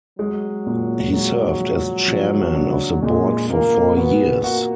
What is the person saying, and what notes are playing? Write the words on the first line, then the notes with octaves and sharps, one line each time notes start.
He served as chairman of the board for four years.
F#3 G#3
A#2
F#3 G#3
F3
F3
D4
A#2 G#3
A#2 A#3
B3 F#4
A#3 F#4